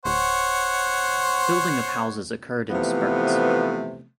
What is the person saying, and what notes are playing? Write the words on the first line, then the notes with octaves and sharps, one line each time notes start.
Building of houses occurred in spurts.
D1 C5 C#5 F#5
C3 E3 F3 A3 B3